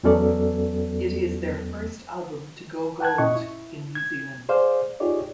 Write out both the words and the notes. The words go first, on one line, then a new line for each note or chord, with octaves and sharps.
It is their first album to go gold in New Zealand.
E2 F#3 B3 C#4 A4 D5
F#5 G5 A5 F#6 G#6
A#2 C#4 E4 D#5 C#6
E4
G#6
G#4 C5 D5 F5
D#4 F4 G4 G#4 C#5 D5